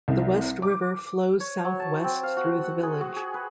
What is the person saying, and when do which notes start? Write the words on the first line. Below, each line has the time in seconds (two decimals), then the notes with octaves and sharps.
The West River flows southwest through the village.
0.08 C2
0.62 D6
1.40 C#5
1.65 F#3
1.80 A5
2.04 C4
2.23 F5
2.37 F#4
2.64 F#5
2.83 G#4
3.01 F#4
3.16 G#4
3.34 B4